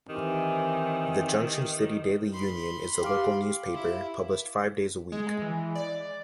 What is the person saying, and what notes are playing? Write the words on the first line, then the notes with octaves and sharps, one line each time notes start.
The "Junction City Daily Union" is the local newspaper, published five days a week.
D#3 E3 C4 G4
B5 C6
G4 F5 D6
E4
G#3
E3
D5